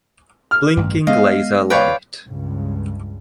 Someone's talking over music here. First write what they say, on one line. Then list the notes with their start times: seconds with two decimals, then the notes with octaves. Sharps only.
Blinking laser light.
0.51 F6
0.77 A1 G2
1.07 G#3 B3 D#5 F5
1.70 F4 B4 C#5 D5 G5
2.26 C#2 G2